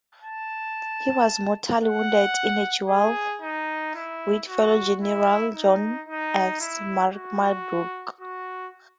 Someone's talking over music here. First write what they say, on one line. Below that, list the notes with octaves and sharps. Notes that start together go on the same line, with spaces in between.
He was mortally wounded in a duel with fellow general John S. Marmaduke.
A5
F#5
G#4
D#4
E4
F#4
E4
D#4
D#4
E4
F#4
F#4